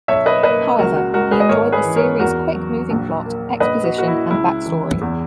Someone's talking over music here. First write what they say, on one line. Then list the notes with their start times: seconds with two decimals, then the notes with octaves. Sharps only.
However, he enjoyed the series' quick-moving plot, exposition, and backstory.
0.08 B1 C#5 E5
0.26 B4 D#5
0.43 A#3 B4 D#5
0.78 C#2 F#4 A#4
0.96 F#4
1.14 G#3 F#4 A#4
1.31 G#4 B4
1.40 D#5
1.49 G#1 A#4 C#5
1.72 G#4 B4
1.85 E3
1.96 A#4 C#5
2.20 E2 F#4 A#4
2.55 F#3
2.90 A#1
3.25 A#3
3.60 A#1 B4 D#5
3.84 F#4
3.96 A#3 F#4
4.08 E4
4.31 C#2 E4
4.66 E3
5.01 E2